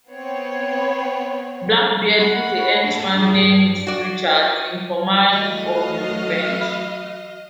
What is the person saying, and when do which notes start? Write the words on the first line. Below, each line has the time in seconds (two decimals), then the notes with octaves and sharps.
Blackbeard put a henchman named Richards in command of the "Revenge".
0.11 B3 C4 C#5
2.20 F#5 B5
2.85 F#3 D4
3.18 F3 F#3 G#4
3.32 C#2 G2
3.87 F#4 D5
5.30 E3 F#3 A3 F#4 D#5 F5